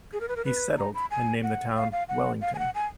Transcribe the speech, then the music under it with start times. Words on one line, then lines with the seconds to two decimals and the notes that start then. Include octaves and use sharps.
He settled and named the town Wellington.
0.13 G#4
0.21 A#4
0.28 B4
0.36 A#4
0.45 B4
0.78 A#5
0.94 B5
1.11 G#5
1.43 F#5
1.76 F5
1.92 F5
2.09 F#5
2.41 F5
2.55 G#5
2.59 F#5
2.75 G#5